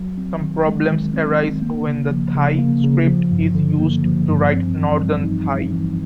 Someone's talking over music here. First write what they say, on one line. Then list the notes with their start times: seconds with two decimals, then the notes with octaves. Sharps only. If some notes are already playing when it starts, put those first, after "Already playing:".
Some problems arise when the Thai script is used to write Northern Thai.
Already playing: F#3
0.17 C4
0.42 D#3
0.66 G#3
0.90 D#3
1.14 C4
1.38 D#3
1.62 A#3
1.86 C#3
2.11 F3
2.35 C#3
2.59 A#3
2.84 C#3
3.07 F3
3.32 G2
3.55 D3
3.79 A#3
4.04 F3
4.28 G2
4.52 C4
4.76 E3
4.99 G3
5.24 D#4
5.49 C4
5.72 E3